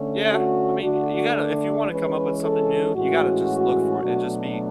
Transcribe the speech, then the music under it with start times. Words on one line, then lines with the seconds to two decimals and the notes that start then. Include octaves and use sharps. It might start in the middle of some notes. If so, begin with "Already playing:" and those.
Yeah, I mean, y you gotta if you wanna come up with something new, you gotta just look for it and just be
Already playing: D3 A3 C#4
0.28 F#4
0.82 D3 A3 D4 F#4
1.88 E3 G#3 C#4 B4
2.42 A4
2.95 A2 E3 G#3 C#4 F#4
4.02 B2 F#3 A3 D4